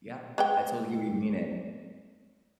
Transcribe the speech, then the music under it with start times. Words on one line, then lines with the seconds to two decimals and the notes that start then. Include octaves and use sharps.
Yeah, I totally hear what you mean, and,
0.38 G#3 B4 G5